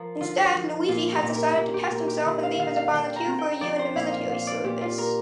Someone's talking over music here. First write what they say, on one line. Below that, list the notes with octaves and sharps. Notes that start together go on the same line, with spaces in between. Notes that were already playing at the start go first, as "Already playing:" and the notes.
Instead Luigi has decided to test himself and leave as a volunteer for a year in the Military service.
Already playing: F3 A#4
D3 F4
F3
A#2 F4
G4
A#2
A#4
A#2
G4
A#2 A#4
G4
D3
F5
D3 F5
F5
F5
D3 G5
A#5
C4
G5
F3 D5
C5
A#2 F5
F5
A#2 F5
D5
A#2 G4
F4
A#4